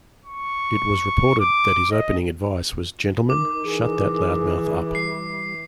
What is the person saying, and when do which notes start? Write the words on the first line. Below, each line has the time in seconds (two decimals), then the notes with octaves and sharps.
It was reported that his opening advice was Gentlemen, shut that loudmouth up!
0.25 C#6
1.40 D6
1.92 D#5
3.30 D#4 A#4 D6
3.64 E3 G#4
4.95 G3 C7